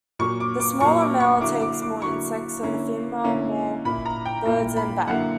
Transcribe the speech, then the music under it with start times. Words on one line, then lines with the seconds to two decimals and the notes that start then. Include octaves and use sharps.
The smaller male takes more insects, and the female more birds and bats.
0.19 A#2 F#3 A#3 C#6
0.40 D6
0.60 D6
0.80 A#2 F#3 A#3 C#6
1.01 D6
1.20 C#6
1.41 D3 F#3 A#3 E4 D6
1.61 D6
1.82 D6
2.02 D3 F#3 A#3 E4 C#6
2.63 D3 A#3 C#4 E4
3.24 D3 A#3 C#4 E4
3.85 A#2 A#3 E4 B5
4.06 A#5
4.25 G5
4.46 A#2 A#3 E4 A#5
4.77 B5
5.08 F#2 D3 A#3 E4 F#5